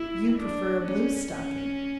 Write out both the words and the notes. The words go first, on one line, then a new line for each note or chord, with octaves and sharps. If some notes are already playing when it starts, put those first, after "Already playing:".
"You prefer a bluestocking."
Already playing: E4
D4
C#4
C#4